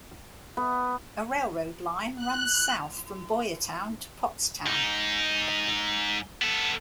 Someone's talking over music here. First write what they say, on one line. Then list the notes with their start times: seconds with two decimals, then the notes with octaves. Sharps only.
A railroad line runs south from Boyertown to Pottstown.
0.57 B3
2.16 F#6
4.66 G#2 D#4
6.42 B3 A4